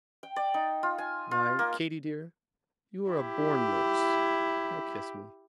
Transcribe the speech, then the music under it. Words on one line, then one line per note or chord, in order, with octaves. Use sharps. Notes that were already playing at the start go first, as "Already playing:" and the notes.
Why, Katy dear, you are a born nurse Now kiss me.
G5
D5
D#4
F4
G#5
F4
A#3
E4 G4